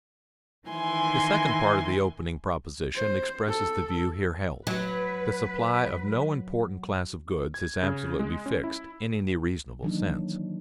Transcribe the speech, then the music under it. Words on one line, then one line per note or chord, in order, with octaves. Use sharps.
The second part of the opening proposition expresses the view here held: the supply of no important class of goods is absolutely fixed, in any reasonable sense.
D#3 E3 G#5 C6
C5
A4
F#3 B4
G#6
C#3
G#3
C#4
E4
D#3 E3 F#3 A#3 D4 D#4